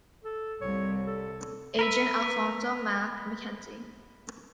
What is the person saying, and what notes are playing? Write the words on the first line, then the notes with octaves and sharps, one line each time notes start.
Agent Alphonso "Mack" MacKenzie.
A4
C2 C#5
A4
A#4 B4 E5